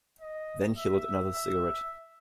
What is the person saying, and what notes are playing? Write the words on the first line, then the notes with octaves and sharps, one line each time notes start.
Then he lit another cigarette.
D#5
E5
E5